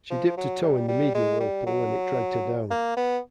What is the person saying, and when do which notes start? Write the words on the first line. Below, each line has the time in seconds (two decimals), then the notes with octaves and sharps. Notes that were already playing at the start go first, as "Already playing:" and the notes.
She dipped a toe in the media whirlpool and it dragged her down.
0.10 F3
0.37 F#3
0.63 G3
0.89 G3
1.15 G#3
1.40 G3
1.66 F#3
2.71 A#3
2.97 B3